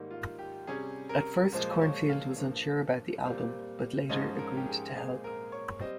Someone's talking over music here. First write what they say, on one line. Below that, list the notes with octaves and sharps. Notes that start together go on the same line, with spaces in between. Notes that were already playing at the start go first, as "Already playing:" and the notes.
At first Cornfield was unsure about the album but later agreed to help.
Already playing: G#2 D#3 G3 A#3
F4
G4
C3 G3 C#4 G#4
A#4
A#2 F3 G#3 C5
C#5
F5
G2 F3 A#3
A#2 G3 C4
G#2 F3 G#3 C#4 D#5
A#4
G4
G#4
A#2 G#3 C4 G#4
A#4
C#5
G3 C4 D#5